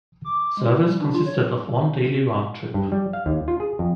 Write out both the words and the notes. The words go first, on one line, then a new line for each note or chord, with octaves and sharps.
Service consisted of one daily round trip.
D6
D6
G#3
E4
G3
D4
F4
C#5
A4
G2
G3
F5
D#2
F4
G#4
F2